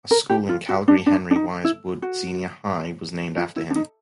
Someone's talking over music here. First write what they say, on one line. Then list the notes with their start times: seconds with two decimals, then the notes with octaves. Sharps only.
A school in Calgary, Henry Wise Wood Senior High, was named after him.
0.11 A#4
0.30 G4
0.49 F4
0.69 F#4
0.88 D4
1.06 D4
1.31 D4
1.36 D#4
1.65 E4
2.02 F#4
3.38 F4
3.56 E4
3.70 D4
3.75 D#4